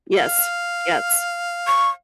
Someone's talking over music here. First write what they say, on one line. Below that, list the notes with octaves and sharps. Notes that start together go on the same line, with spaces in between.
Yes, yes.
F5
C#6